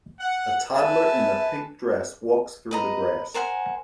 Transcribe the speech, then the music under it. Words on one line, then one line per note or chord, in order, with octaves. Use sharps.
A toddler in a pink dress walks through the grass.
F#5
B4 E5 G#5 A5
B4 D#5 A#5
A#4 C5 F#5 G#5